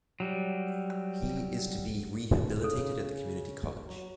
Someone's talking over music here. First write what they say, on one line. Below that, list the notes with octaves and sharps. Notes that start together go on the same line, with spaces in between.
He is to be rehabilitated at the community college.
F#3 G3
C#3 A4
F#3